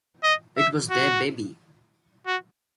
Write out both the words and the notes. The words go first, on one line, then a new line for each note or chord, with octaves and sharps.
It was their baby.
D#5
E5
F#4
F#4